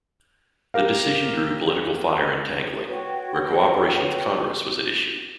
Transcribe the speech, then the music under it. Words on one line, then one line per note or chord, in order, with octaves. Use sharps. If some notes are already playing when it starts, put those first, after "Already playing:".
The decision drew political fire and tangling, where cooperation with Congress was at issue.
G4 A#4 F5
F#4 B4 C#5 G5